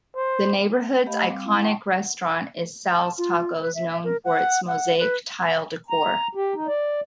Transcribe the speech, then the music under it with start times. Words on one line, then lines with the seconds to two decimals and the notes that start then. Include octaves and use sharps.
The neighborhood's iconic restaurant is Sal's Tacos, known for its mosaic tile decor.
0.16 C5
1.06 A3 G4 D#5 F5 B5
1.28 G3 C4 F5 D6
1.46 E4
1.62 F#5 G5 A5 C6 C#6
2.98 A5
3.18 F4
3.61 B4
3.75 E5
3.89 E5
4.04 A#4
4.25 F#5
4.68 F#5
4.99 B4
5.90 A#5
6.35 G4
6.54 D#4
6.67 D5